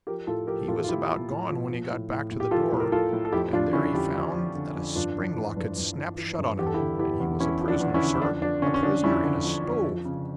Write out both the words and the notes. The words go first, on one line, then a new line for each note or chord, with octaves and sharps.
He was about gone when he got back to the door, and there he found that a spring-lock had snapped shut on him, and he was a prisoner, sir--a prisoner in a stove.
F3 G4 A#4
A2 F4 A4
F3 G4 A#4
A2 F4 A4
F4
F3 E4 G4
F3
A2
F3
F3
A2
A2
A2
G4
F3 F4 A4
A2
A#4
A2 F4 A4
A2
A4
F2 E4 G4
F2 D4 F4
D3 C#4 E4
F2 E4 G4
F2
F3
D3
F2
G2 D4 F4
E3
E3
G2
G2
E3
E3
G2
E2 G4
A4
E4 G4
D3
E2 E4 G4
E2
E2 C#4 E4
F3
D4
E2
C#4 E4
D3
E4
F2 D4
F3 D4
D3 C#4
C#4
D3 D4
F2 C#4 E4
D3
F2
F2
F3
C#3